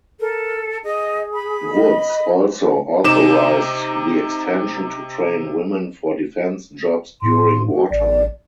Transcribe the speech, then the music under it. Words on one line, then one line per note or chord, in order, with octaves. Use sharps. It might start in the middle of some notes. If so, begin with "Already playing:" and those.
Woods also authorized the extension to train women for defense jobs during wartime.
A4 A#4
G#4 D#5
B5
D#5
C3 D#4 D6 E7
A2 C6
F#4
A1 D5